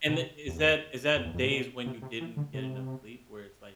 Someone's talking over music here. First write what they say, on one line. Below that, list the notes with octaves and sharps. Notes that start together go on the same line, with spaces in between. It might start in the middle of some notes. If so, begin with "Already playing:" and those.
And tha is that is that days when you didn't get enough sleep where it's like
B2
C3
E2
F2
E2
F2
A2
B2
C3
C3
E3
D3
C3